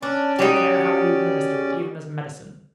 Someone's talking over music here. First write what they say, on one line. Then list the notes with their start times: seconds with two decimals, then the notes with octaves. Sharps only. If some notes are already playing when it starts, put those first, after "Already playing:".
Take care how you administer it even as medicine.
0.03 C#4 D4 D5
0.39 D#4 F#4 G4